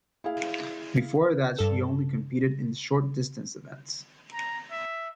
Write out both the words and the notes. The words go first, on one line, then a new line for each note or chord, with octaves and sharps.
Before that she only competed in short distance events.
E4 G#4 F5
G2 A4
A#5
E5